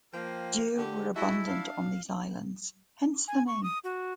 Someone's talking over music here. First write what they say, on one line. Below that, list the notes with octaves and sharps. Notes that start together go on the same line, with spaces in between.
Deer were abundant on these islands, hence the name.
F3 A#3 G5
D3 G4
G#3 E4 F#4 E5 A5
D4 F5
G#5
C#6
D#6
F#4